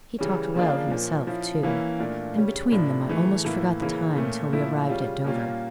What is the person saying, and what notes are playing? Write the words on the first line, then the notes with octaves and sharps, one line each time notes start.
He talked well himself, too, and between them I almost forgot the time till we arrived at Dover.
C#3 E3 G3 C#4
C#3 F3 A#3 D4 F4
A#2 F3 C#4
F3 C#4 E4
E3 A#3 C#4 E4
A#2 A3 D4 F4
C#3 G3 C#4
A2 F3 A#3 D4
C#3 E3 A3
A2 E3 A#3 E4
C#3 E3 A#3 C#4
A#2 A3 C#4
A#2 F3 A3 E4
C#3 G3 C#4 F4
A#2 G3 A#3 C#4 F4